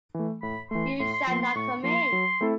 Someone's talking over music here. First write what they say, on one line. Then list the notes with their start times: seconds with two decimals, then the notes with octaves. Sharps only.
You shall not come in.
0.15 E3 A3
0.43 A2 B5
0.71 E3 A3 C6
1.00 A2 C6
1.13 C6
1.27 F3 A#3 C6
1.42 C6
1.55 A2 C#6
1.83 F3 A#3 C6
2.12 F#3
2.41 A3 C4 E4 A4